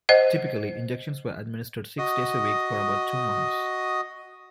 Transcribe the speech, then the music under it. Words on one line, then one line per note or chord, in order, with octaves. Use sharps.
Typically, injections were administered six days a week for about two months.
C5 D#5 F#5
F#4 D#5 D#6